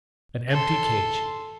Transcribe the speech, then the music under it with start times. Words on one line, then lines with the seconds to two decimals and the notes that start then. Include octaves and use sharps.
An empty cage!
0.50 A4 C6